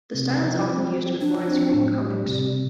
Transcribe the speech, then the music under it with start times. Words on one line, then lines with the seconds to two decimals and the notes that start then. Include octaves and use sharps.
The style is often used with widescreen comics.
0.14 C3
0.42 F3
0.68 C4
0.94 F3
1.20 F3 D4
1.48 C4
1.73 A2
2.00 G3
2.27 C3